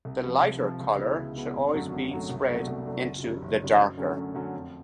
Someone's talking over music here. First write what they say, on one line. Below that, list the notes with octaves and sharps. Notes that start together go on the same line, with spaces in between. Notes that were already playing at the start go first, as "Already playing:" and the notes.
The 'lighter' color should always be spread into the darker.
C2
C3 F3
C2
C3 F3
C#2
B2 G#3 B3 E4
C#2
B2 G#3 B3 E4
G#1
F#2 D3 F#3 A3
G#1
F#2 D3 F#3 A3
C2
B2 F#3 A3 D4
C2
B2 F#3 A3 D4
F#1
F#2 D#3 G3
F#1
F#2 D#3 G3
F#2
D3 F#3 A3 C#4
F#2
D3 F#3 A3 C#4
F2